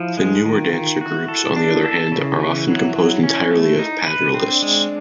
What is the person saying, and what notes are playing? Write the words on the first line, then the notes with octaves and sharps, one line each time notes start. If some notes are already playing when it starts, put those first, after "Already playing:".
The newer dance groups, on the other hand, are often composed entirely of plattlerists.
Already playing: F3 E4
G#3
D#3 F4
D#3
E4 F#4
A4
D4
A4
C#3 E4
E3
F#3
F#3
C#4
A3
D#4
B4
C4 D4
G#3